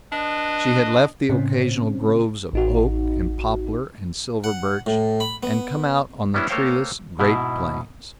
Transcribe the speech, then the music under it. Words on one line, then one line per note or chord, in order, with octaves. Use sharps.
She had left the occasional groves of oak and poplar and silver birch, and come out on the treeless Great Plains.
D4 B4 D#5
A2 C#3 C4 C#4
A1 D#4 F#4
F#5
A2
B5
B3
G3 B3 C#4 D4 E4
A3 A#3 C5 C#5 F5 G5
G#2 B2 E4